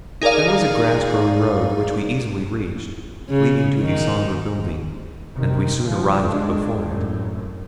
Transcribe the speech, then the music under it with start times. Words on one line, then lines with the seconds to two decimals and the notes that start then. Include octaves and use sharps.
There was a grass-grown road, which we easily reached, leading to the sombre building, and we soon arrived before it.
0.22 D#4 G#4 A#4 D5 F5
3.29 C#3
3.80 D#3
5.34 C3 D#3
5.86 F3
6.29 G#3 D4
6.88 F#2 A2